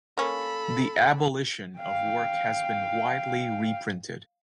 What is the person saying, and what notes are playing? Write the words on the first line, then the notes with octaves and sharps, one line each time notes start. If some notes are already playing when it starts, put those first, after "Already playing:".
"The Abolition of Work" has been widely reprinted.
A#3 C#4 A4 B5
F5 G5